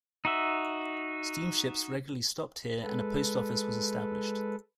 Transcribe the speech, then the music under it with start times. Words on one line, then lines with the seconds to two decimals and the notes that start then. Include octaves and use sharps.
Steam ships regularly stopped here and a post office was established.
0.25 D#4 F#4 E5
2.82 G#3 A4 B4